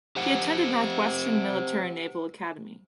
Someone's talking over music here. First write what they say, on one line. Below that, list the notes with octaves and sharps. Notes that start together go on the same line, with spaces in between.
He attended Northwestern Military Naval Academy.
G4 C5 F#5